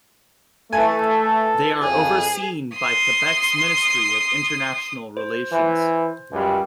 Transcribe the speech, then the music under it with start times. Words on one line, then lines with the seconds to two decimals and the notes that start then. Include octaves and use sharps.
They are overseen by Quebec's Ministry of International Relations.
0.73 E3 A3 A4 G#5
1.83 F2 G#4
2.75 C6 D#6
5.17 C5
5.52 E3
6.32 C#2 F#2 G3